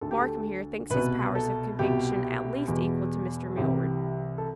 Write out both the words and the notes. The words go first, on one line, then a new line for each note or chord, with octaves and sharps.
Markham here thinks his powers of conviction at least equal to Mr. Millward's.
D2 D3 A4
G4
A4
C2 B2 B4
A4
C2 B2 G4
E2 B2
C2 C3 E3 G4
A4